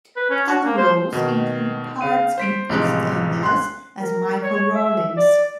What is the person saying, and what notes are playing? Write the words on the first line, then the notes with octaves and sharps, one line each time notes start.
Other roles include parts in "EastEnders" as Michael Rawlins.
B4
C#4
F#4
A#3
C5
B2 D#3
C#3 F5 D#7
C5 B6 D7
A1 C3 F3 G#3 F#6
C6 F#6
A#4
C#5
E5
D5